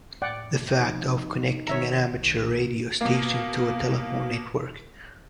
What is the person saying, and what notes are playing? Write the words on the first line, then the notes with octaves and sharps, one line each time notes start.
The fact of connecting an amateur radio station to a telephone network.
A2 D5 F#5 G5
C3 F3 D#4
D#3 C#5 E5 A#5
B1 D#3
B2 A#3